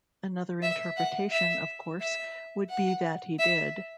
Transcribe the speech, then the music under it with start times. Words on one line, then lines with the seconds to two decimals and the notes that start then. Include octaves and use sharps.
Another interpretation, of course, would be that he did.
0.63 E5
0.97 F#5
1.31 E5
2.01 E5
2.69 F#5
3.39 E5